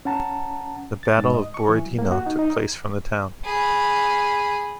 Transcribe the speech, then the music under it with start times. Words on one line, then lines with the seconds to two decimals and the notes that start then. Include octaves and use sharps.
The Battle of Borodino took place from the town.
0.05 C#4 F#5 A5 A#5
1.03 A6
1.18 G#2
1.34 D#5
1.54 C#6
1.69 E3
1.86 F#3
1.99 A#3
2.12 F#4
2.26 D#4
2.39 D#4
3.44 G#4 B5